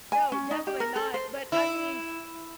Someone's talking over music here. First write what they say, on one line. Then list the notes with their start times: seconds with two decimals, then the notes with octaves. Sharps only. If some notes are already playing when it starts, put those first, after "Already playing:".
No, definitely not, but, I mean,
0.12 G#5
0.32 C#4
0.51 D#4
0.67 G4
0.80 A#4
0.96 A4
1.14 C5
1.52 E4